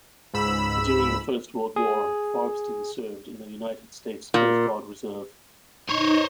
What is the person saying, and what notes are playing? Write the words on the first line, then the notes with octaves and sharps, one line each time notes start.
During the First World War Farbstein served in the United States Coast Guard Reserve.
C#2 G#2 B5 E6
G#4
A#2
D#4 C5 C#5 D#5